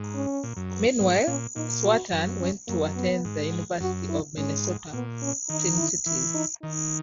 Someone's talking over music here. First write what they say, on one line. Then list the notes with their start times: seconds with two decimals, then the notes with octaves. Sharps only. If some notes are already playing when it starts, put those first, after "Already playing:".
Meanwhile, S Watson went on to attend the University of Minnesota, Twin Cities.
Already playing: G#2
0.15 C#4
0.43 A#2
0.57 F#2
0.99 G#2 B3
1.27 A#2 C#4
1.56 A#2 D#4
1.83 F#4
2.12 F#2
2.40 C#4
2.68 F#2 A#3
2.96 B3
3.25 G#2
3.80 F#2 F#4
4.10 E4
4.37 G#2 C#4
4.93 A#2 B3
5.22 C#4
5.49 D#3 D#4
5.78 E4
6.06 E3 E4
6.34 D#4
6.62 D#3 D#4